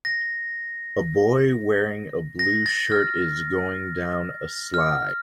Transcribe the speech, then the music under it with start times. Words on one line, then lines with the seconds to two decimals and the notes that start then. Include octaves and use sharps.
A boy wearing a blue shirt is going down a slide.
0.05 A#6
2.39 A#6
2.66 A6
2.92 F6
4.74 F6